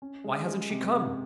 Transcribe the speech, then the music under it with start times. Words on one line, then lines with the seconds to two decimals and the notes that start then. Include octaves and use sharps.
'Why hasn't she come?
0.02 C#4
0.24 G#3
0.47 G#3
0.70 C3
0.93 C3